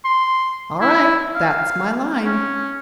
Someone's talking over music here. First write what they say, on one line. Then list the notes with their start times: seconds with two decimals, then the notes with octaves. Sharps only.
"All right--that's my line."
0.04 C6
0.81 E4
1.35 F5
2.25 C#4